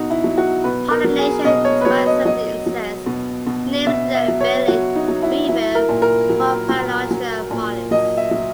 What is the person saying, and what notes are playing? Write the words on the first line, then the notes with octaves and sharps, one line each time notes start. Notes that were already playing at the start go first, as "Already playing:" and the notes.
Pollination is by certain insects, namely the belid weevil "Rhopalotria mollis".
Already playing: B2 D#4 F#4
E4
F#3
F#4
B2 B4
A#4
F#3
G#4
B2 D#5
C#5
B4
F#3 C#5
D#5
F#3 D#5
F#3
B2
B2
B2 E5
E5
F#3
C#5
F#3 F#4
D#4
F#3
E4
F#3 E4
A#4
A#2
A#4
F#3
F#3
F#3
A#2
F#3 D#5
E5
F#3